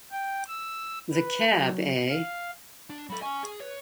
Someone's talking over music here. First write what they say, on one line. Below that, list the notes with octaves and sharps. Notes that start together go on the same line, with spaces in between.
The cab, eh?
G5
E6
B4
F#3
F5
D4
F#3 A4 B5
C#4 G#5 C#6
G#4
B4 C#5